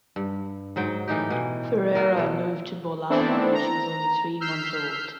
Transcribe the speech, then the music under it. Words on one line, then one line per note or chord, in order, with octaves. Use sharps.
Ferreira moved to Bolama when she was only three months old.
G2
G#2 F#3 G5
A2 E3 D#4 G4
B2 E3
A#3 B3 E4 A#4
B2 A4
A3 B3 C4 D4 E4 A4
A#5
E6 F6 G6 B6 C7